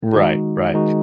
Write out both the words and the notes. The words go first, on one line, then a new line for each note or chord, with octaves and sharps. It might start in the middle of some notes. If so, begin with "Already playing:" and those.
Right, right.
D#3 G#3 D#4 F#4
D#3 G#3 D#4 F#4